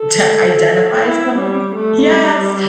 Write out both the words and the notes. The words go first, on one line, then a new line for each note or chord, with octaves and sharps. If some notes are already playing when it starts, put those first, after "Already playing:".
to identify some of 'em. Yes,
Already playing: A4
E4
G3
A3
G3